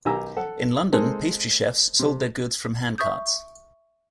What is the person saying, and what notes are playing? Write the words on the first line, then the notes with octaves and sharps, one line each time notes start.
In London, pastry chefs sold their goods from handcarts.
B1 D#3 G4 G#5 A#5 E6
A4 F#5
G#3 A#3 C4 D#4 A4 A#4
C3
E5 C#6 D#6 G6